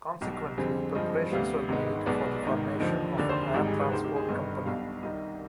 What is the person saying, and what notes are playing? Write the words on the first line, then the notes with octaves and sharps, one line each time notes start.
Consequently, preparations were made for the formation of an air transport company.
B1 B2 G3 G4
F2 D3 G3 C4 G#4
G2 F3 G#3 C4 D#5
D2 C3 G3 B3 F5
G#1 G#2 D#3 G#3 B3
B1 B2 G#3 B3 D5
G#1 G#2 D#3 B3 D#5
D#2 D3 F3 D#5
F1 D#2 D3 D5
C5
G#4
G#1 G#2 G3 G4
G#4
B4
D2 C3 D#3 G#3 C4 C5
G4
G#4
G1 G2 D#3 B3 D#5
B1 B2 G3 F5
C2 C3 D#3 G3 D#5